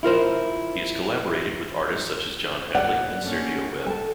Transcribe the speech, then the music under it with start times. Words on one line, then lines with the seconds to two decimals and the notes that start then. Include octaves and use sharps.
He has collaborated with artists such as John Hadley and Sergio Webb.
0.03 E4 F4 A#4 C5
2.75 D#2 D5 F#5
3.23 A3 A#3 C#4
3.85 A4 G#5 A5